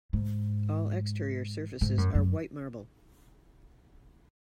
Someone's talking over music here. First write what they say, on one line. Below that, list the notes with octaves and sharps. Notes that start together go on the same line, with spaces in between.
All exterior surfaces are white marble.
G#2
G#2
F#2
F#2